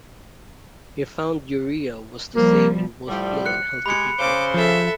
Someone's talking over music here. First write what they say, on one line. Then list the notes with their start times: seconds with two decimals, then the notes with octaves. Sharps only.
He found urea was the same in both ill and healthy people.
2.36 F3 G3 A#3
3.08 A2 F3 G3
3.46 F#6 C#7
3.86 G#3 G4 B5 C#7
4.19 C#3 C5 D6
4.54 F3 A4 E5